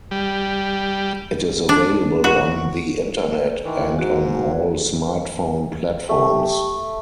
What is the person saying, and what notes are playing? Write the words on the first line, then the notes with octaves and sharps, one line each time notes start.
It is available on the Internet and on all smartphone platforms.
G3
D4
F#4
D#3 E3
G#2 F#4
A3 G4